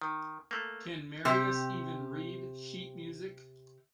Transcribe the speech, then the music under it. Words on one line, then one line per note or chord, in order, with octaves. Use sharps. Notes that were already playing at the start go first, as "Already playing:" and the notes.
Can Marius even read sheet-music?
D#3
A3 A#3
C3 G4